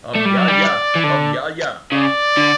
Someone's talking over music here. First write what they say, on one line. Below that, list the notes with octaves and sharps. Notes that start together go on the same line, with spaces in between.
Um Yah Yah!Um Yah Yah!
A3 D5
G3
F#3
G3
E3
D3
C#3 D5
D3